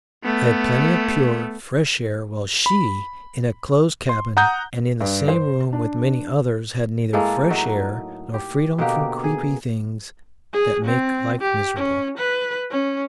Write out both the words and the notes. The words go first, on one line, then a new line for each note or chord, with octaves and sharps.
I had plenty of pure, fresh air, while she, in a closed cabin and in the same room with many others, had neither fresh air nor freedom from creeping things that make life miserable.
A3 B3
B5
C6
F#5 A#5 D#6 G6
G2
C5
D4
A2 G#3 A#3 A4
F#3 D#4 F#4 E5
G4
B2 D3 A#3 G4
G#4
G#4
C4
G4
C#4
B4
C#4